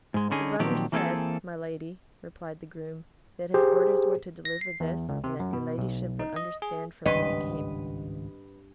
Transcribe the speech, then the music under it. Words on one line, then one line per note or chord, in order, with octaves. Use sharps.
"The runner said, my lady," replied the groom, "that his orders were to deliver this, and that your ladyship would understand from whom it came."
G#2 G#3
D3 C#4 D#4 G#4
A#2 D#3 F3 F#3 C4 G4
E3 A#3 C4 F4 G#4 A4
G4 G#4 C5
A#6
C7
E2
C#2
C3
F#2
B2
B1
D#4
D#5
G#4
G#1 C#2 G2 C4 B4 C#5 D#5